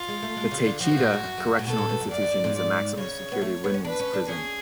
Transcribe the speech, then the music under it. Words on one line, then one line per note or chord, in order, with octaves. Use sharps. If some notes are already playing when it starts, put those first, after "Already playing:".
The Taycheedah Correctional Institution is a maximum security women's prison.
Already playing: F4
G#3
A3
G#3
C#3
D3
F3 F#4
F3
B2
A2
G#2
F#2
F#2
A2
B2 A4
A2
B2
F#2
F#2 D5
F#2
G#2
G#2
D5
C#3 C#5
B3
A3
B3
C#4
D4 B4
C#4
D4
C#4 G#4